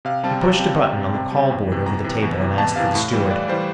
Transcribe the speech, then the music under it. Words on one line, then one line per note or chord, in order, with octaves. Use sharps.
He pushed a button on the call board over the table and asked for the steward.
C3 F5
G3 C4 A5
C3 A#5
G3 C4
C3
G3 C4
C3
G3 C4
E2
C3 E3
E2 A#5
C3 E3
E2
C3 E3
E2 A5
C3 E3 F5
A2
E3 G3
A2 D5
E3 G3 C5